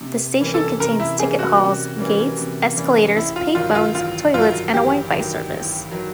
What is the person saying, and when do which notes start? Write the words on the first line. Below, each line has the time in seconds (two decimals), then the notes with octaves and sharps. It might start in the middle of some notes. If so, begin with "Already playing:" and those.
The station contains ticket halls, gates, escalators, payphones, toilets and a Wifi service.
0.01 C3
0.40 E3 G3 A#3 C#4
0.54 A4
0.80 C3 A#4
1.00 E4
1.19 E3 G3 A#3 C#4 G#4
1.39 F#4
1.59 C3
1.98 E3 G3 A#3 C#4
2.38 C3
2.76 E3 G3 A#3 C#4
3.16 A1 E4
3.36 F4
3.55 G2 D#3 F#3 F4
3.75 F4
3.95 A1 F4
4.34 G2 D#3 F#3 F4
4.73 A1 G4
5.13 G2 D#3 F#3
5.52 A1
5.91 D#3 F#3